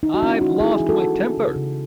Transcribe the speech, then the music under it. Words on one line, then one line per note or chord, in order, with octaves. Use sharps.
I've lost my temper.
D#3 D#4
F#4
B3 C#4 E4
G#3 D#4 F#4
E3 E4 G#4
E3
F#4 A4
E3
C#4
C#3
C#3